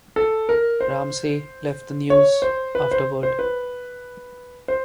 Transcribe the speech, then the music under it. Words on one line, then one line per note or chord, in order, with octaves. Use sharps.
Ramsey left the "News" afterward.
A4
A#4
C5
C#5
C5
B4
C5
C5
B4
C5